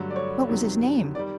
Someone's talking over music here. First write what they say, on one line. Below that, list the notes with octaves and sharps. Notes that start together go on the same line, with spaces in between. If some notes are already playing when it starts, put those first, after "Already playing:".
"What was his name?"
Already playing: G2 D3 F#3 A3
D5
C#5
F2 C3 D#3 F#3 B3
D#3 G3 D5